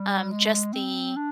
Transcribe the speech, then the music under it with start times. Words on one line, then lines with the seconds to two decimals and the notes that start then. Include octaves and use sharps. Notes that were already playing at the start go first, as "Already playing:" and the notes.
um, just the,
Already playing: G3
0.31 G#3
0.73 C4
1.17 D4